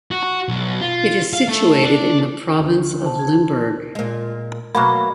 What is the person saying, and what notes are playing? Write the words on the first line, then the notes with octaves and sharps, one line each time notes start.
It is situated in the province of Limburg.
F#4
B1
F4
F5
A3
D4
D2
C5 A5
A5 G#6
A#2 G#3
B2 F#3 A3 A#3 F#4 B5